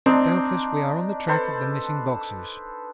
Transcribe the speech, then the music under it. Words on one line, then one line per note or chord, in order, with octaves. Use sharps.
Doubtless we are on the track of the missing boxes.
C4 D4 D#4
A4 B4 C5